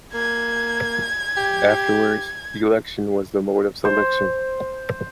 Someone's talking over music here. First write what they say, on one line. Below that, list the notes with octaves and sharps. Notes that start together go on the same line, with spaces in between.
Afterwards, election was the mode of selection.
A#3 G#6
G4
C5